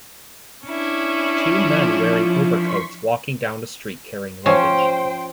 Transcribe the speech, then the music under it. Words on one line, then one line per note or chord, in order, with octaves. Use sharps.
Two men wearing overcoats walking down the street carrying luggage.
C#4 D4 E4
F3
C6 C#6 B6
F3 C#4 C5 G5